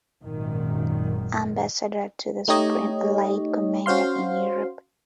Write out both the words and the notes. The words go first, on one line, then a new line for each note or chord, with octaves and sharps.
Ambassador to the Supreme Allied Commander in Europe.
G#1 F#2 A#2 D#3
A3 D#4 G4 C#5 D#5
C#4 F#4 C5 F5 C6